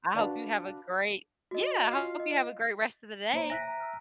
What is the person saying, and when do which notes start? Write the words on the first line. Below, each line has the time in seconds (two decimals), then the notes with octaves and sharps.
I hope you have a great, yeah, I hope you have a great rest of the day.
0.14 D4 F#4 B4 D5 F5 A5
1.51 F#4 D#5
1.92 F4 F5
2.20 D#5
3.34 A#3 C5 C#5 A#5 D7 D#7
3.50 E5 G#5 F#6 A#6 B6
3.68 A#5
3.80 E6 F6